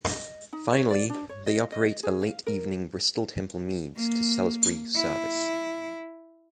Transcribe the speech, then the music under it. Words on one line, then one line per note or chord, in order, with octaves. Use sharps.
Finally, they operate a late evening Bristol Temple Meads to Salisbury service.
D#5
D#4
C#5
D5
D4
C#5
D#5
D#5
G#4
F5
A#4
A#3
E4